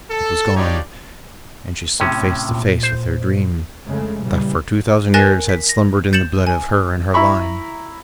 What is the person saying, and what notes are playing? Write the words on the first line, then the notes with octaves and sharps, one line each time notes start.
It was gone, and she stood face to face with her Dream, that for two thousand years had slumbered in the blood of her and her line.
A4
D4 D#4 F4 G4 C#5 D5
A2 C3 C#4
A#2
C5
F2 C#3 G#3 A3
A#2 C#3 E3 G3
A#4 G#5 F#6 A6 A#6 E7
B6
A#6
G6 A6 C#7 E7 F#7
G#5
E4 E5 A#5 B5 C#6